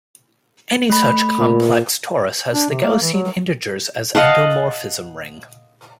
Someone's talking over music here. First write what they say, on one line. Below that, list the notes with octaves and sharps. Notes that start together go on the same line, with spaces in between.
Any such complex torus has the Gaussian integers as endomorphism ring.
A3 B5
A#2
D4
C3
A#3
E3
F#3
D#5 F5 F#5 A5